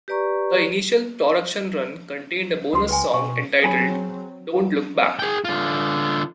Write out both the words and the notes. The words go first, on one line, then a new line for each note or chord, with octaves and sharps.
The initial production run contained a bonus song entitled "Don't Look Back".
G4 B4 D5 A#5 C#6
C#2 C6 D#6
B4 G5 G#5
B2 C#6
F#3 C4 G#4 G#5 B5
G#4 G5
D3 F4